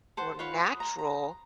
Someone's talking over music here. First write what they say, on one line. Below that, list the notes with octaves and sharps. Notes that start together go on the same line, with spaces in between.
were natural
A4 C5 F#5
F4 B4 C#5
D#6
A#5
A#5